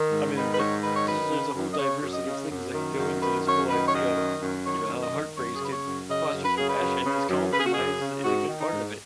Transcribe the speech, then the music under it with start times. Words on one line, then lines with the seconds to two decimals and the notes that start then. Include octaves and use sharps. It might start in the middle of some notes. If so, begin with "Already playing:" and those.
I mean, the the there's a whole diversity of things that could go into this whole idea of, you know, how heartbreaks could foster compassion, and this compromise is is a good part of it.
Already playing: D#3
0.11 G#2
0.35 D#3 B4
0.53 B4
0.58 G#2 C#5
0.82 D#3 B4
0.95 C#5
1.06 F#2 B4
1.30 C#3
1.54 F#2
1.71 D#5
1.78 C#3 C#5
2.02 F#2
2.13 D#5
2.26 C#3
2.50 F#2
2.74 D#3
2.97 F#2
3.21 D#3 B4
3.45 F#2 C#5
3.69 D#3 B4
3.86 C#5
3.93 F#2 D#5
4.17 D#3
4.41 F#2
4.65 D#3 C#5
4.88 F#2
5.01 D#5
5.12 D#3
5.37 F#2 C#5
5.53 G#4
5.61 C#3 B4
5.72 C#5
5.85 F#2
6.08 C#3 D#5
6.32 F#2
6.44 B4
6.56 C#3 G#4
6.68 B4
6.80 F#2
7.04 C#3
7.28 F#2
7.51 C#3 B4
7.59 G#4
7.66 F#4
7.73 F#2 G#4
8.00 C#3
8.23 G#2 F#4
8.48 D#3
8.59 D#4
8.72 G#2